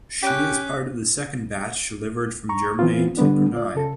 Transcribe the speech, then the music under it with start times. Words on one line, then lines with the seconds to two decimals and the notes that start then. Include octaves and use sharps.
She is part of the second batch delivered from Germany to Brunei.
0.23 C#4 G4 F#6 B6
2.49 A#5 C#6
2.79 E3 B3 C4 F4
3.17 D3 G3 B3 D4
3.53 F4 D5
3.75 C#3 A4